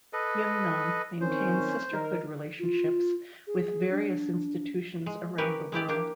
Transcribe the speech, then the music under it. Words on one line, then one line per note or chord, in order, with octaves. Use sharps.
Yeungnam maintains sisterhood relationships with various institutions around the world.
A4 B4 D#5
D#3 C4 C#4 C5
D#3 D#4 A#4
F4
G#4
D4
G#3
C#4 G4 A#4 B4 C#5
G#3 E4 G4 D5
A#3 D4 G4